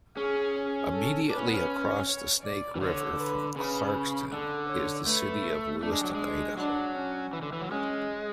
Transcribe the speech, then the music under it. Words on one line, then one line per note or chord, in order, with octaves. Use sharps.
Immediately across the Snake River from Clarkston is the city of Lewiston, Idaho.
C#4 G#4
A4
D4 B4
C#4
B3
C#4
C#5
D5
E3
D3 C#5
B4
C#3 B4
D3 A4
C#5
A3 B4
A3 D4
G#3
F#3
G#3
F#3 D4
C#4
E3
D3
E3
F#3
G#3 C#4